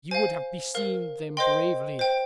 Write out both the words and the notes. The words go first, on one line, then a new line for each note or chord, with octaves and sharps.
You would have beseemed them bravely.
C5 F5 G#5
A#4 F5
C5 D#5 G5 C6
C5 G5